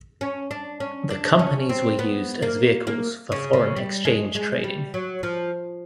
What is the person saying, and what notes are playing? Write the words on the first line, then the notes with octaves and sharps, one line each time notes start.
The Companies were used as vehicles for foreign exchange trading.
C#4
D4
C#4
D4
C#4
C4
B3
A#3
A#3
C#3
C#3
G3
G#3
G#3
G3
F#3
F3